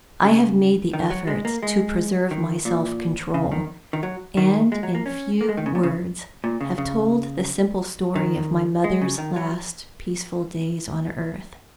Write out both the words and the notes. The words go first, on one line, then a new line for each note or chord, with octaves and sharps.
I have made the effort to preserve my self-control; and in few words have told the simple story of my mother's last peaceful days on earth.
C#3
D#3
F#3
G#3
A#3
G#3
D#3
A#2
C#3
D#3
D#3
F#3
D#3
G#3
F#3
A#3
C#4
A#3
G#3
D#3
C#3
A#2
C#3
A#2
C#3
C#3
D#3
G#3
C#3
D#3
F#3